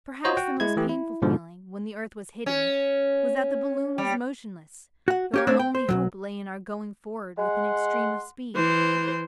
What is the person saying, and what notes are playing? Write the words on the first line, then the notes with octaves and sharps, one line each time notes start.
Perhaps the most painful feeling when the earth was hidden was that the balloon was motionless, though our only hope lay in our going forward with an extreme of speed.
F4 F#4 C5 C#5 D#5
F#4 F#5 G5
G#3 E4 G#6
E3 A3 G4
E4
G#2 B2 D3 F3
C#4
G3
F#4 F#5
C#4 G4 C#5
A3 C4 D4 C#5 D5
G5
C5
B1 F#2 F#3
G#3 F#5 C6
E3 C5